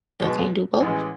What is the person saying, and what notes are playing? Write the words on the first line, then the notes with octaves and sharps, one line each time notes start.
I can't do both?
B1 B2 G#3
A1 A2 E3 G#3 C#4